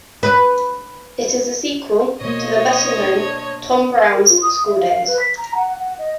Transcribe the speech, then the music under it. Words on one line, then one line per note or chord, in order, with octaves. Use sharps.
It is a sequel to the better-known "Tom Brown's School Days".
B4
B2 A#3 C5 C#5 D#5
D4
A#4
F4
D#6
E5
F5
B4
B6
A#5
F#5
F#5
D#5